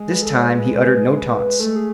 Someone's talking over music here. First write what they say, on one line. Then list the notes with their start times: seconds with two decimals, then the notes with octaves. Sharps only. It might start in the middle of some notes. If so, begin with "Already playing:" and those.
This time he uttered no taunts.
Already playing: G#3
0.08 B4
0.22 A4
0.35 C#5
0.46 B4
1.59 A3 A4
1.76 G#4